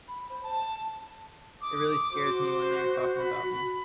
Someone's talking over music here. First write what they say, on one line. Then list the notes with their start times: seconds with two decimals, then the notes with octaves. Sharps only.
It really scares me when they are talking about me.
0.08 B5
0.29 C5
0.43 A5
1.61 D6 D#6
2.12 F#4 C5
3.18 B5